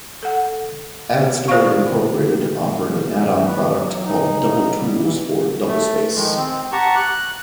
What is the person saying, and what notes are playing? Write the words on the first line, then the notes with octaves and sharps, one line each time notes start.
AddStor, Incorporated offered an add-on product called Double Tools for DoubleSpace.
A4 F#5
F4 G#4 C5 D5 F5 C#6
B4
F#3
D#4
D#4
G3
E3
A3
D#3 F3 G#3
C4
G4 F#5 A5 A#5 C#6
F#6